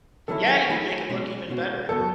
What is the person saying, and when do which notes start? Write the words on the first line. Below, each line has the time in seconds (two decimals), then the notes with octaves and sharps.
Yeah, you could make it look even better.
0.28 E2 D#3 F#3 C#4 E4 A4
0.69 E3 A3 D#4 G#4 B4
1.09 B2 G#3 C#4 G#4
1.50 B2 G#3 C#4 F#4
1.89 F#2 C#3 F#3 B3 F#4 A4